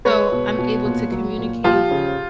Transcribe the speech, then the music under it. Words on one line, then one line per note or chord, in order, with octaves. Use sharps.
so, I'm able to communicate
G#3 B4 C#5
B2
B2
A#2
F#3
A#2
F3 F4 G4
C#3